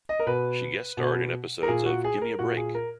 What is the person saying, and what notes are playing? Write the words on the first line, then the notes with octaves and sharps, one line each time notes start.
She guest-starred in episodes of Gimme A Break!
D#5
A#4
B2 B4
B2
A#4
A#2 G#4
F#4
G#4
A#4
A#2 F#4
G#4
A#4